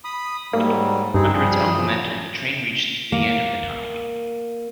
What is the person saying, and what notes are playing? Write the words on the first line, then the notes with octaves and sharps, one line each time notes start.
Under its own momentum the train reached the end of the tunnel.
B5 D#6
G#2 F#3 G3 A#3
G2 C4 D#4 G#4
F3 G3 G#4
F3 F#3
A#3